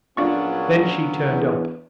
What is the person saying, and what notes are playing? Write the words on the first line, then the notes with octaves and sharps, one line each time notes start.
Then she turned up.
A#1 F#3 B3 C#4 D4 F4 C#6
E2